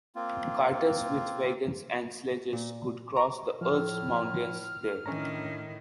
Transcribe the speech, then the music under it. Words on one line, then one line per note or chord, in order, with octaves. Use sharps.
Carters with wagons and sledges could cross the Erz Mountains there.
A#3 C4 F4
A#2
A#5
A2 F3 F6
A2 D#3 C#4 D4 C#5 A#5